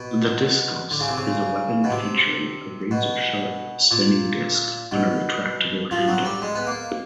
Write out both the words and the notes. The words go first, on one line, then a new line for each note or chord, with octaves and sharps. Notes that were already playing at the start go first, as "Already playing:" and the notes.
The diskos is a weapon featuring a razor-sharp spinning disk on a retractable handle.
Already playing: B2
D3
C#3
C3
C#3
B2
C3
B2
A#2
B2
F3
F#3
G3
G#3
B3
A#3